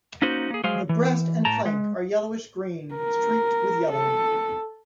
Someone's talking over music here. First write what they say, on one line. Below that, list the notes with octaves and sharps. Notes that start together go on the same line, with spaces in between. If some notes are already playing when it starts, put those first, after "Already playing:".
The breast and flank are yellowish-green streaked with yellow.
A#3 C#4 D#4 F#4 C5
A#3 G#4
F#3 G#3 G#4 C5 F5
E3
A2 G5 A5 A#5
G#3
A#4
A4